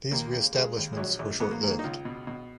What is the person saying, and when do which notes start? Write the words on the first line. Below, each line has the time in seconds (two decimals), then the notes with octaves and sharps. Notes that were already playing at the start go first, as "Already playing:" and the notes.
These re-establishments were short lived.
0.11 D#2 A#3
0.33 C#3
0.54 C#3 G#3
0.77 D#2
0.93 G#3
0.97 A#1 F#3
1.19 A#1
1.40 G#2 B3
1.51 A#3
1.61 D#3 G#3
1.70 A#3
1.79 D#4
1.84 C#2 F4
2.05 B2
2.27 B2